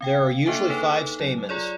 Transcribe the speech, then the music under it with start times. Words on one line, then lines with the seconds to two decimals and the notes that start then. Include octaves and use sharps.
There are usually five stamens.
0.01 C4 F5 G5
0.45 A#3 D4 A4 E5 G#5 D7
0.69 D#4 G#4 A4 B4 C#5
1.20 F#3
1.49 F4 G#4 C#5 D5